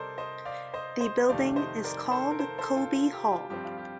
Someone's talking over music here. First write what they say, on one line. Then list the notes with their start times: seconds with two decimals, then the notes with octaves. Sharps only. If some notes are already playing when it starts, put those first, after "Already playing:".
The building is called Colby Hall.
Already playing: C3 G3 A4 A#4 C5 D5 D#5
0.18 C5 D#5
0.45 D5 F5
0.74 C5 D#5
1.01 C5 D#5
1.29 F2 C3 D#3 A3 D5 F5
1.56 C5 D#5
1.84 A#4 D5
2.11 A4 C5
2.31 A#4
2.39 A4 C5
2.58 A4 C5
2.76 F4 A4
2.95 F4
3.13 G4
3.32 F4
3.50 G2 F3 C4 G4
3.64 F4
3.78 G4